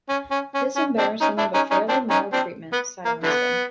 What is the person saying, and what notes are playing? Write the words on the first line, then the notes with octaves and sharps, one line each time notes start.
This embarrassing but fairly mild treatment silenced him.
C#4
C#4
C#4
C#4
C4 D4
C#4 D#4
D4 E4
C#4 D#4
C#4 D#4
C4 D4
C#4 D#4
C4 D4
B3
A#3
D3 E3 B3